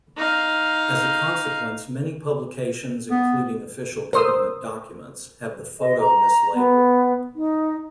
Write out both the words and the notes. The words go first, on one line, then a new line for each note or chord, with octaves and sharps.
As a consequence many publications including official government documents have the photo mislabeled.
D#4 F5
B3
A#4 C5 C6 D#6 E6
D#5
A#5
B3
D#4